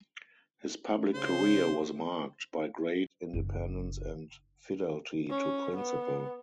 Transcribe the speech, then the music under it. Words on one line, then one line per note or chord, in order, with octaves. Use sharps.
His public career was marked by great independence and fidelity to principle.
C#3 C5
F#1 D4
C#4
B3